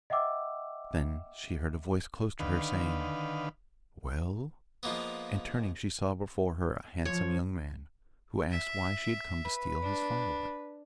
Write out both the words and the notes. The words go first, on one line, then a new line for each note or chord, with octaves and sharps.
Then she heard a voice close to her saying, 'Well?' and turning she saw before her a handsome young man, who asked why she had come to steal his firewood.
D#5 E5 F#5 G5 D6 E6
D3 D#3 B4 F5
F3 G#3 A#3 B3
F3 C#5
E5
B4
D4